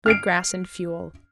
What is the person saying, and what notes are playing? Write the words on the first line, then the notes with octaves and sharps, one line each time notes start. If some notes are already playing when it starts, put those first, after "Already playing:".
Good grass and fuel.
F6 C7 D7